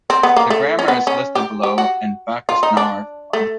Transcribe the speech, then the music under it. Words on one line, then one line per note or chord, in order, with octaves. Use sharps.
The grammar is listed below in Backus-Naur form.
C4
B3
A#3
A3
C#4
B3
C#4
G4
G4
F#4
F4
D#4
D4
A3